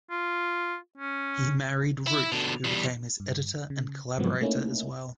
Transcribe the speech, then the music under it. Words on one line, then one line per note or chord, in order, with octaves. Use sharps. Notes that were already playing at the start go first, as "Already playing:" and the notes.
He married Ruth, who became his editor and collaborator as well.
F4
C#4
E4
B2 D3
E2 G3
G2
C#3
G#2 C#3 F3 F#3 B3 C4
A3 A#3 C#4 D#4 E4